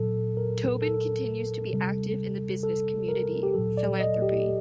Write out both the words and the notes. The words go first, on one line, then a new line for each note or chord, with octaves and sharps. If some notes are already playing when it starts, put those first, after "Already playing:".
Tobin continues to be active in the business community, philanthropy.
Already playing: A#2 F#3 A4
A#4
A4
C3 G3
A4
A#4
G4
A#2 F#3 A4
D5
D#5
G4